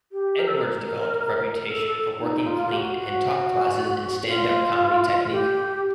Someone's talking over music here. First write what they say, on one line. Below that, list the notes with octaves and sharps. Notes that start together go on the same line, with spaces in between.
Edwards developed a reputation for working clean and taught classes in stand-up comedy technique.
G4
A#4
A4
A#4
A4
A4
D#4
F4
F4
G4
F#4
F#4
F4
G4